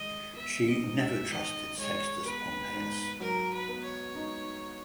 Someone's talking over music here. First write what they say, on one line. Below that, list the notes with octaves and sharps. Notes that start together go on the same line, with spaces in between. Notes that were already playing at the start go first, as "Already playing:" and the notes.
She never trusted Sextus Pompeius.
Already playing: D#3 G#3 D#5
B3 E5
D#5
G#2
E5
D#3 D#5
G#3 C#5
B3 B4
G#2
F#3 A#4
B4
B3
C#5
D#4